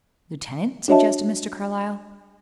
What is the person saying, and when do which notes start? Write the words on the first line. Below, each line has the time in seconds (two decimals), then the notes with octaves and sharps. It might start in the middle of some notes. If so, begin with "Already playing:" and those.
"Lieutenant?" suggested Mr. Carlyle.
0.88 D4 F#4 C#5 D#5 E5 A5